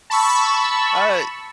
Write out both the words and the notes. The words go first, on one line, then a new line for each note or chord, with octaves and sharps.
uh, it
A5 B5 C#6 E6